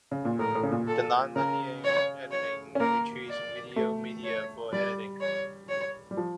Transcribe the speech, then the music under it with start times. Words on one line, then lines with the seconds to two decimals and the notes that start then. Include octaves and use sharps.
The non-linear editing retrieves video media for editing.
0.11 C#3
0.25 A#2
0.39 A2 A#4
0.55 A2
0.63 C#3
0.71 A#2
0.87 A4
1.36 C#3 A#4
1.84 C#5
2.31 C#5
2.75 C#4
2.79 A#3 A#4
3.28 D5
3.76 A3
4.24 C#5
4.72 G3 D5
5.21 C#5
5.69 C#5
6.11 G3
6.17 F3